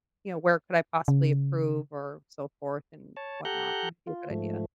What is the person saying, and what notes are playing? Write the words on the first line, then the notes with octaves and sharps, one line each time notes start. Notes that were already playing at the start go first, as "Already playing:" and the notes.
you know, where could I possibly approve or so forth and whatnot might be a good idea.
C#3
C#5 A5
G4 A4 F#5 A#5 F#6 G6
F4
G#2 F3 A3